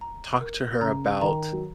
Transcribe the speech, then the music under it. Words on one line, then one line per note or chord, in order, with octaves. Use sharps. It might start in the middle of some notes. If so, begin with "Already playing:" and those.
talk to her about
A#5
A#4
C#3 A#5
D#3 A#5
F#3